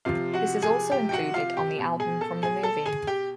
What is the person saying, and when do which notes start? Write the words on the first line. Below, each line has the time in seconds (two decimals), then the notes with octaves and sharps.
This is also included on the album from the movie.
0.05 C3 F3 F4 F5
0.34 F#4 F#5
0.62 G#4 G#5
0.91 G4 G5
1.09 G5
1.12 F#4 F#5
1.34 F4 F5
1.57 G4 G5
1.78 B2
2.00 G#4 G#5
2.21 A4 A5
2.43 G#4 G#5
2.63 A4 A5
2.86 G#4 G#5
3.07 G4 G5